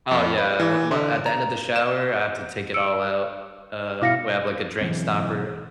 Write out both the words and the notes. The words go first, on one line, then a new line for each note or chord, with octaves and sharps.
Oh, yeah, well well, at the end of the shower, I have to take it all out, uh, we have like a drain stopper.
F2
B4
E3
D3
A#5
E7
E6 C#7 D7
B2 E4 F5 D6 A#6 C#7
E1 E3 F#3 C4